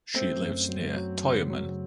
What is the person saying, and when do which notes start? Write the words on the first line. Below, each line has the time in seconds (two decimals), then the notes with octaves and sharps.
She lives near Tyumen.
0.14 A3 C4
0.42 F#2
0.69 F#3
0.96 F#3
1.24 C#3
1.50 F#3